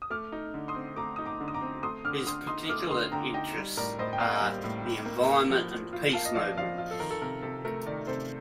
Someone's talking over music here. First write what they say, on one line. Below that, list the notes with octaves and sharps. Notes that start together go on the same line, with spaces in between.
His particular interests are the environment and peace movements.
D#6
A3 D6 F6
D#4
D3
C6 D#6
C4
A3 A#5 D6
D#4 D#6
A#5 D6
D3
D#6
A#5 D6
C4
A3 C6 D#6
D3 D6 F6
D3 C6 D#6
D#4 C6 D#6
A3 D6 F6
D3 C6 D#6
D3 G5 A#5
D#4 D#5 G5
G3
A2 A#4 D5
A2 C5 D#5
G5
A#3 D5 F5
G3
A2
A2
A#3
A#3
F3
F3
F4
A#3 F5 A5
D#5
F3 D5 F5
F3 D5 F5
F4
A4
D#3 A#4
A4
C3 A#4
C3 A4
A3 A#4
D#3 A#4 D5
C3 A4 C5